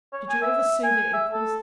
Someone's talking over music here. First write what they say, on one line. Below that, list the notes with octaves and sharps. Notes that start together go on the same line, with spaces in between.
Did you ever see their equals?
C#5
G#5
E5
G#5
E5
A4